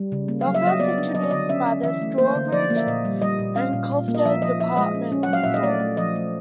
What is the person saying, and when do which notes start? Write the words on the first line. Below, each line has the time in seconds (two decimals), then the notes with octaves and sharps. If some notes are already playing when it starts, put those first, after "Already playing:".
They were first introduced by the Strawbridge and Clothier Department Store.
Already playing: G3
0.12 C#3
0.28 A#3
0.41 F5
0.46 F#3
0.55 E5
0.64 F#3 D#5
0.80 B3 D5
0.98 D4
1.15 F#3 D#5
1.24 D5
1.31 D3 D#5
1.49 C#4 E5
1.66 C#4
1.83 E3 E5
2.02 A3
2.18 A#3 C5
2.35 D3
2.52 F3 D5
2.70 A#3
2.76 E5
2.87 A#2 D#5
3.05 G3
3.22 G3 D#5
3.39 A#2
3.56 C#4 F5
3.73 A#2
3.91 A#2
4.08 A#3
4.15 D#5
4.25 F3 E5
4.42 F3 D#5
4.60 F3 E5
4.77 G#3 D#5
4.94 C#4
5.12 C#4
5.23 F#5
5.28 F#3 F5
5.44 A#2 E5
5.54 D#5
5.63 A3 D5
5.80 A3
5.97 F3 D#5
6.16 A3